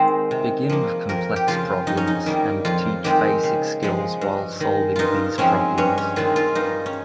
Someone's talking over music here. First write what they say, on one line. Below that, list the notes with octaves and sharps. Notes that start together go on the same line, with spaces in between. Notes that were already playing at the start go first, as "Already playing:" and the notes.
Begin with complex problems and teach basic skills while solving these problems.
Already playing: D#3 G#3 C4 C5
C3
F3 A#3
F2 A#4
G4
C#3 F3 F4
F2 D#4
C#4
D#4
D#3 G3 A#3
F2 F4
D#3 G#3 C4 G4
C#3
F3 G#3
G2
D#3 G#3
G2 D#4 F4
F3 G#3 C4 C#4
G2 C#4
C#4
D#3 G#3 C4 F4
F4
G2 D#4
C#4